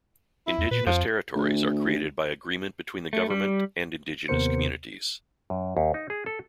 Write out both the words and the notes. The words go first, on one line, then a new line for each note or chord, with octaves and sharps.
Indigenous territories are created by agreement between the government and indigenous communities.
E4
E2
A#2 B4
F2 F3
D2
A3
G3
D#2 C3 B3 A#4 C5 C#7
F#2
D#2
D#4
G#4
A4